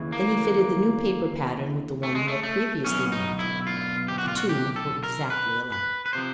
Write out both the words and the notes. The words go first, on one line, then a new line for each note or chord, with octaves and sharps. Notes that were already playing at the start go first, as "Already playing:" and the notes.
Then he fitted the new paper pattern with the one he had previously made--the two were exactly alike.
Already playing: D#2 C#3 E3
A#3
A3
G#3
A3
A3
B1 B2 C#4
D#4
E4
F4
G4
F#4
F4
F#4
G4
A4
A#4
B4
B4
B4
C3 F3 C5